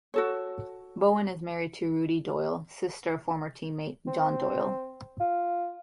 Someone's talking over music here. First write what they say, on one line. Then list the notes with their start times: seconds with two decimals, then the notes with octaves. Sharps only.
Bowen is married to Rudie Doyle, sister of former team mate John Doyle.
0.14 F#4 A4 C#5
4.07 C4
5.20 F4